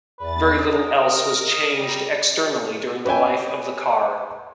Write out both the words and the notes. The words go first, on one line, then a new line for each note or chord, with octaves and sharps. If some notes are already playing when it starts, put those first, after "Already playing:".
Very little else was changed externally during the life of the car.
E2 B4 A6
A#4 D#5
D#5
G3 A#5
B4 C#5 E5 G5 G#5